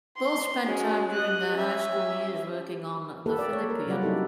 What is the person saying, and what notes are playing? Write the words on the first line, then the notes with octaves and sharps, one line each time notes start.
Both spent time during their high school years working on "The Phillipian".
C6
G#3 C#4 F#4
G4 D#5 F#6
C#4 E5
A#3 G4 A4 B4
D5
C#5
A#4
F#3 G3 F4 B4 D5 F#5
F#3 C#4 D#4 E4 A4